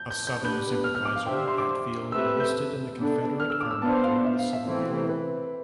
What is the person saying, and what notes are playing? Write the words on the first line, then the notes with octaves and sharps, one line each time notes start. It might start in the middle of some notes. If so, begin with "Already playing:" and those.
A Southern sympathizer, Hatfield enlisted in the Confederate Army during the Civil War.
Already playing: G6
G6
G6
B3 D4 G4 B4 G6
F6
F6
D6
F5
D4 G4 C5 E5 G5
C6
D6
A3 C4 G4 B4 E5 E6
E6
G6
B3 D4 A4
F6
E6
D6
E6
B3 D4 F4 C5 A5
F5
E5
F5
E5
E3 A3 C4 C5
B4